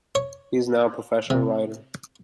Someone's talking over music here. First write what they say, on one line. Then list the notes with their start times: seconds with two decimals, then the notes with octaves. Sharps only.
He is now a professional writer.
0.15 C#5
1.30 C3